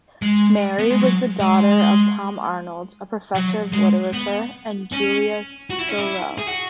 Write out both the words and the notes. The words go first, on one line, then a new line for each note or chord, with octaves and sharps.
Mary was the daughter of Tom Arnold, a professor of literature, and Julia Sorrell.
G#3
B3
G#3
F#3
G#3
F#3
G#3
B3
C#4
F#4
E4
C#4
E4
G#4
F#4